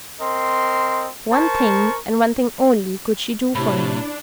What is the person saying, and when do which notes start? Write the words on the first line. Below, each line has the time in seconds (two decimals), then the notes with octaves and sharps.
One thing and one thing only could she do for him.
0.21 C4 A#4 D#5 C6
1.32 A#4 C5 A5 C#6
3.55 A2 C3 D4 E4 C5 B5